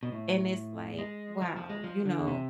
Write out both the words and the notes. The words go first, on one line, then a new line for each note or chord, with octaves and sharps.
and it's like, "Wow," you know,
B2
A2
G#3
F3
F3
G#3
F3
D3
C3